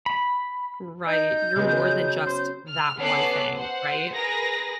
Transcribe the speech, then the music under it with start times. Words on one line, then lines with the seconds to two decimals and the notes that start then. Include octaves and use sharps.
Right, you're more than just that one thing, right?
0.06 B5
1.07 D#4 G6
1.56 C#3 F#3 G#3 B3
2.27 C5
2.68 F6
2.99 B3 C#4 A4 D6 F#6 C7
3.54 C5 F#5
4.14 G#4 A#4 B4 A#6